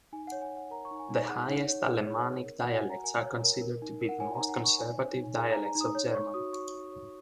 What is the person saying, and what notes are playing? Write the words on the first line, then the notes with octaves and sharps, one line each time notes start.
The Highest Alemannic dialects are considered to be the most conservative dialects of German.
D#4 G#5
F#5
C#5
G#5
D#4 F#5
A#4 A#5
C#6
D#4
G#5
D#4 G#5
G#4 F#5
D#4
C#5
G#4
C#5
C#5
A#4
F#5
F#4
G#5
F#4
A#5
A#4 G#5
C#5
A#4
A#4
D#4
A#4
F#5
C#5 G#5
A#5
D#4
F#5
D#4 C#6
C#5 G#5
C#5
D#4
G#4 G#5
A#5
D#4
A#5
D#4
D#6
C#5
C#5 C#6
F#4 D#6
F#4 C#6
C#5
C#5